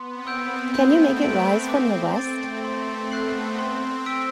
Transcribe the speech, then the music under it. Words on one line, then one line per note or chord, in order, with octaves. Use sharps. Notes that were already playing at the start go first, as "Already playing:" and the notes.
Can you make it rise from the West?
Already playing: B3 C6
C4
E6 G6 D7 G7
B3
A3 G6
D7 F#7
C4 D6
C4
A6 D7
A3
A3 C6
B3 F#6 C7 F#7
C4 C6
C4
E6 B6 D7